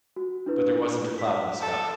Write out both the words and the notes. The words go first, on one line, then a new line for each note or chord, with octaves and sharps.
but there wasn't a cloud in the sky
F#4
D4 E4 B4
B6
A4